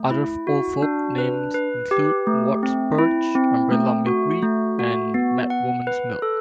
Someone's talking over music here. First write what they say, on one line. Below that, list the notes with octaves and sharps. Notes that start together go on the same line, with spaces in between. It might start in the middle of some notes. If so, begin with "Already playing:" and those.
Other old folk names include wart spurge, umbrella milkweed and "madwoman's milk".
Already playing: A3
E4
F#4
D4
B4
B4
G4
A3
C4
E4
C4
A3
F#4
A3
F#4
B3
F#5
B4
A4